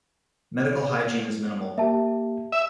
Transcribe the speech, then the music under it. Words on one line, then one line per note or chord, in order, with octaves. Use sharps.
Medical hygiene is minimal.
A#3 G4 E5 A5
E5